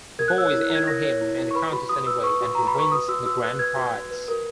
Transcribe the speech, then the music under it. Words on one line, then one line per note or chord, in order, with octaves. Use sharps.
The boys enter him in the contest anyway and he wins the grand prize.
A#4 G#6
F#6
C#5 E6
F#6
E4
F#6
E4
G#6
A#4 A#6
C#5
E4
E4
C#6
B4 B5
F#4 B5
F#4 D#6
B4 E6
B4 C#6
F#4
F#4 A#5
B5
B4 C#6
B4 D#6
F#4 E6
F#4 E6
B4 F#6
B4 G#6
F#4
F#4
B4
A#4